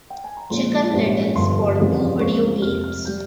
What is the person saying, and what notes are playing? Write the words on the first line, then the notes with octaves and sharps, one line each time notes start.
"Chicken Little" spawned two video games.
G5
G#5
A#5
A#1 A#2 F3 G#3 C#4 C6
A#1 G#2 G3 C#4
G1 G2 F3 C6
F1 F2 C#3 E3 G3
C6
C#2 C#3 F3 G#3 C4 C#6
F1 F2 C3 F6
F6
G3 G6